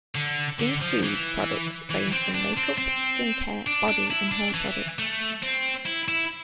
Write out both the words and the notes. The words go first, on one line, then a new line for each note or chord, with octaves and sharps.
Skin Food's products range from makeup, skin care, body and hair products.
D3
D3
F3
E3
E3
C4
D4
C4
C4
D4
D4
E4
D4
E3
A3
C4
E4
E4